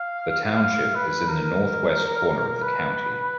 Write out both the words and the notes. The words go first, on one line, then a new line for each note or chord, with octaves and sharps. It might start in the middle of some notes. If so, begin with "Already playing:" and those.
The township is in the northwest corner of the county.
Already playing: F5
F5
B4
A#4
B4